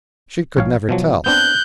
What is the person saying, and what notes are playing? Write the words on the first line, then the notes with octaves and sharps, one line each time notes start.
She could never tell.
A#1 C#5 F5
B2 F3 F#3
B3 C4 D4 F#6 G6